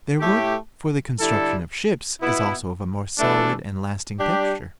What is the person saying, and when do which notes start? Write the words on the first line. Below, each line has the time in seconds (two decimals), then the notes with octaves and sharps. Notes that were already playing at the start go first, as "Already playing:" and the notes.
Their wood for the construction of ships is also of a more solid and lasting texture.
0.20 A2 A3 E4 G4
1.19 D3 G3 E4 A4
2.19 B2 B3 E4
3.18 G2 E3 A3 D4 A4
4.18 G3 D4 G4